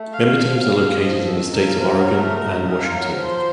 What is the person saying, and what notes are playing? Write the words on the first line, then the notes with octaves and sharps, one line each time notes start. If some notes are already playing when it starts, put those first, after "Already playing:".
Member teams are located in the states of Oregon and Washington.
Already playing: A3
F5
F3
F#3
A#3
F3 D#5
D#3 A4
C#3 A#4
F3
F#3
A3
D#4 A#4
F4
F#3
F3
C5